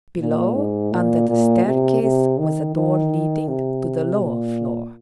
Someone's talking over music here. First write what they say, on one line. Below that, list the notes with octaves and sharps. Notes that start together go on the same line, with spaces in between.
Below, under the staircase, was a door leading to the lower floor.
A#2
G#2
A#2
A#2
C3
C3
D#3
D#3
C3
A#2